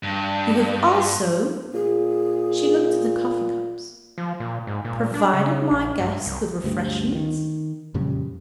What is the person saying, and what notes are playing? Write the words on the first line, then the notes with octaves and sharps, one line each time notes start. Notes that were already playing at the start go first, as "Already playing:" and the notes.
You have also"--she looked at the coffee-cups--"provided my guests with refreshment.
G2
A#2 G#4
F3
A#2
G#2
A#2
D4
C#3
A#1
G2
C2
D2 G2
D#3
F2 A#2 C#3 G3